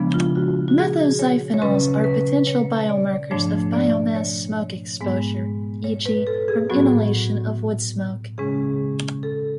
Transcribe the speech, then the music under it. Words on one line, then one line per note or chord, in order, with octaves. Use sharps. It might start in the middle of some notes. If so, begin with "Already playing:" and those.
Methoxyphenols are potential biomarkers of biomass smoke exposure; e.g., from inhalation of woodsmoke.
Already playing: C#3 F3 G#3 B3 D4
F4
F#4
F#4
G#4
C#5
C#5
C#3 F#3 C#4 B4
B4
C#5
D5
G#2 F3 A3 D4 C#5
D5
C#5
G#2 G#3 B3
C#5
B4
A4
G#4
A2 F#3 B3 F#4
C#3 G#3 C#4 G#4
A4